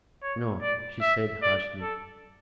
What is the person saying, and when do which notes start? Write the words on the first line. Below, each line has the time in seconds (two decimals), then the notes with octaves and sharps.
"No!" she said harshly.
0.22 C#5
0.62 D5
1.01 E5
1.42 D5
1.82 A4